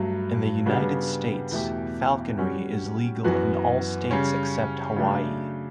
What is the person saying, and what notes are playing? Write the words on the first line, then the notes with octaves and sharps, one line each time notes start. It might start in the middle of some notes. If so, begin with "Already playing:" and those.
In the United States, falconry is legal in all states except Hawaii.
Already playing: G2 F#3 A3
C#3 G3 B3 D4 F#4
E2 B2 A3 E4 G4
G3 C#4 F#4
F#2 E3 B3 F#4
C#3 G3 C#4
C#3 F#3 A3 D4